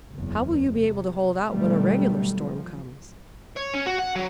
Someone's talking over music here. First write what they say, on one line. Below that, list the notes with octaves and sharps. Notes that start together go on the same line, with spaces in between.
How will you be able to hold out when a regular storm comes?
F#1 E2
C3
B2 D#3 F#3 G3 A3 B3
F3
C#5
C#4
F#4
F#5
F#3